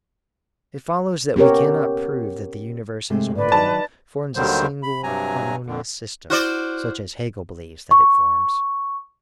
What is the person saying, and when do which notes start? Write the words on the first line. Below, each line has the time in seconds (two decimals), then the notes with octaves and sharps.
It follows that we cannot prove that the universe as a whole forms a single harmonious system such as Hegel believes that it forms.
1.36 B3 C#4 G4 A#4 C#5
3.10 C3 G#3 A3
3.35 A2 D3 B4 D5
3.52 D#3 F#3 D4 A5
4.35 D#2 D3 D#3 F#3 G3 C5
4.83 B5
5.03 G2 C3 F#3 G#5 A#5
5.67 F2 D3
6.30 E4 F#4 C5 D5 F6
7.91 C#6